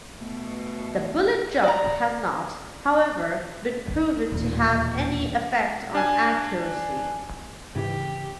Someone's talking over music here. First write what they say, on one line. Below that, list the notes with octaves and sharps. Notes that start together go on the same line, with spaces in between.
The "bullet jump" has not, however, been proven to have any effect on accuracy.
B2 A3
D5 A#5
E1 D#2 A#2
D4 G#5
G#2 C#3 E3 G4